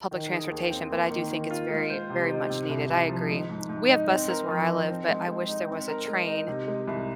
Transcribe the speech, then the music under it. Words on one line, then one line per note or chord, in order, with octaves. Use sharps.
public transportation, but I do think it's very, very much needed. I agree. We have buses where I live, but I wish there was a train
D#3
G#4
D#2
C4
A#3
D#3
D#3
F4
G#3
C5
C3
D#4
C3
C2
C2
F3
G#3
G#2
G#2
D#4
C4
A#4
F3
D#4
C4
G#3
G#3
D#4
C4
A#4
G#3
D#4
C3
G#3
C2